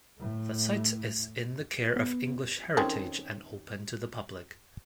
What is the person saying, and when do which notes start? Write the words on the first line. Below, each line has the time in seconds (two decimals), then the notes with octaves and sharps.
The site is in the care of English Heritage and open to the public.
0.19 A2 A3
1.96 B3
2.77 D#3 C4 C#4